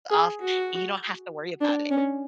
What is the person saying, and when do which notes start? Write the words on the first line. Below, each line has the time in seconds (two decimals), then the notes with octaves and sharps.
off, and you don't have to worry about it.
0.11 G#4
0.41 F#4
1.61 D4
1.90 C#4